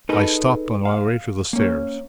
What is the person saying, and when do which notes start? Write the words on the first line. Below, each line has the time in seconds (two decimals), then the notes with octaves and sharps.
I stopped on my way to the stairs.
0.09 D#4 G#4 A4 B4 D#5
0.85 F5
1.53 A#3 C#4